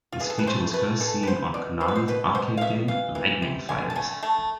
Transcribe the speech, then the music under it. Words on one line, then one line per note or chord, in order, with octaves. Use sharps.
This feature was first seen on Konami's arcade game, "Lightning Fighters".
F4
E3 G#4
A4
B4
A3 C5
A3 B4
E3 A4
B4
B3 C5
B2 D5
B2 C5
B4
C5
B2 B4
B2 C5
F5
B2 E5
E3 F5
E3
C3
D3 G#5
A5
A3 G#5
A3 A5